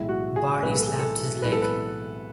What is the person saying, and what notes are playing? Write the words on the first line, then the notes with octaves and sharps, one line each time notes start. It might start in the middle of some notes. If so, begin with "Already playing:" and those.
Barley slapped his leg.
Already playing: B1 A2 E3 G#3 E4
F#4
G#4
B1 A2 E3 G#3 B4
A4
G#4
A4
B1 A2 E3 G#3 B4
A4
B4